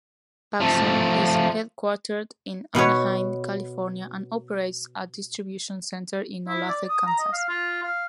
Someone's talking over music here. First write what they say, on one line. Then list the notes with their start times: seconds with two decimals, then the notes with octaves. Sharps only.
PacSun is headquartered in Anaheim, California and operates a distribution center in Olathe, Kansas.
0.60 F3 A3
2.75 B2 B3 B4 C#5
6.48 E4
6.69 D5
6.89 D#6
7.07 A#5
7.19 D#5
7.33 F5
7.49 F4
7.83 F5